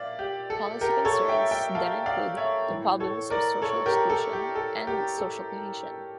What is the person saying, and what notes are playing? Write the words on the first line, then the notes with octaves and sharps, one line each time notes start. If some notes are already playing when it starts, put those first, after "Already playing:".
Policy concerns then include the problems of social exclusion and social cohesion.
Already playing: A#2 D5 E5 F5
G4
A4
G4 A#4
A4 C#5
E5 G5
E5 G5
F5 A5
D5 F5
C#5 E5
A2 E3
A4 C#5
A#4 D5
A4 C#5
G4 A#4
A4
G4
A4
G4
A4